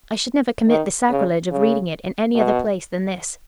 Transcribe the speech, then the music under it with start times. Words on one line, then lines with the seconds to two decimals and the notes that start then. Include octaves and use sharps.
I should never commit the sacrilege of reading it in any other place than this.
0.68 D#3
1.10 C#3
1.51 C#3
2.35 B2